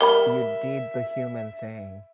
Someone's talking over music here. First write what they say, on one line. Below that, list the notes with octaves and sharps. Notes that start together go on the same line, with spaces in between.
you did the human thing,
G3 A#4 E5 F#5 B5